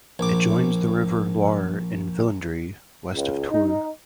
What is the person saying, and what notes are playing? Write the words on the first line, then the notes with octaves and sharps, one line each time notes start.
It joins the river Loire in Villandry, west of Tours.
A#1 D6
C#2
D#4